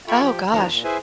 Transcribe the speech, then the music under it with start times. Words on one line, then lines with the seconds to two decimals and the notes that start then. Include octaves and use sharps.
Oh gosh.
0.08 F4 A4 E5 G5 B5 C#6
0.22 F3 G4
0.51 E2 D#3 F3 D4 A#5
0.69 A#2
0.84 E4 G#4 B4 C5 E5 G#5